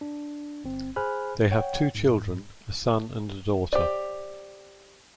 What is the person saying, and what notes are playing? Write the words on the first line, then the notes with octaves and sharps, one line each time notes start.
They have two children: a son and a daughter.
D4
G1 C4
G#4 C5 G#5 B5 F6 F#6
C#5 F#5 G5
G#2
G4 C5 D5